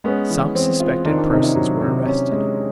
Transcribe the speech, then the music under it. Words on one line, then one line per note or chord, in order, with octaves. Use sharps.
Some suspected persons were arrested.
G#3 B3 C#4
E3
C4
F4
D#3 C4 D4
C4 D4
C3 C#4 D#4
D4 E4
F#3
C3
C#4
G#3